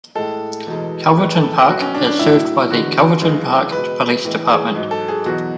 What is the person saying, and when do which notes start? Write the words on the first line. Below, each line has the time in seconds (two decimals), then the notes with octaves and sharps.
Calverton Park is served by the Calverton Park Police Department.
0.15 A2 G#3 A4
0.67 E2 B2 G#3
1.18 A2 G#3 B4
1.35 A4
1.68 B2 F#3 F#4
1.81 C#4
1.94 D4
2.06 D4
2.19 A2 F#3 E4
2.70 E2 D3 G#3 F#4
3.21 F#2 C#3 E3 G#3
3.72 B2 G#3 B4
4.24 A2 E3 G#3
4.49 G#4
4.75 G#2 F#3
4.91 A4
5.08 G#4
5.25 E2 B2 F#3 F#4